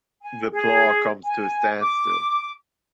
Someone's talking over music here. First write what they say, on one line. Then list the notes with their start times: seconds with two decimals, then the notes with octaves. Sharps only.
The plough comes to a standstill.
0.23 G#5
0.52 G#4
1.25 G#5
1.80 D6